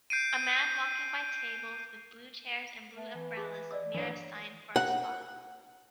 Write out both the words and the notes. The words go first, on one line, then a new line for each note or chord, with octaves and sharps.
A man walking by tables with blue chairs and blue umbrellas near a sign for a spa.
G6 C7 D7 D#7
A3
E3
G#4
D5 D#5 E6
G2 E3 C#5
F#5